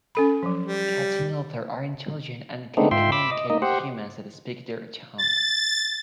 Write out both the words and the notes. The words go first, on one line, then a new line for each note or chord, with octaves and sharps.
Cats in Ulthar are intelligent and can communicate with humans that speak their tongue.
C#4 A4 B5
F3 F#3
G3
G#3 A3 B3 C4 D4 D#4
G#2 F4 E5 G5 C6
B5 D6 E6
D#5
A#3 D#4 D#5
G4 C5 F#5
A6